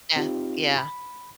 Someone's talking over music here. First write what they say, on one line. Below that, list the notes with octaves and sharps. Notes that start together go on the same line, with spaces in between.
Yeah, yeah.
C4 D#4 F4 G4
B5